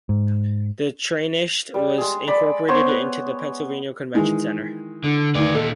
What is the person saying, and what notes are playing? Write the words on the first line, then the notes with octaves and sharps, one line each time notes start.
The trainshed was incorporated into the Pennsylvania Convention Center.
G#2
G3
G#3 G#4
D5 B5
B3 C5 C#5
B4
D#3 E3 G#3
D3
D2 D#3 B4 D5
A#2 D#4 A4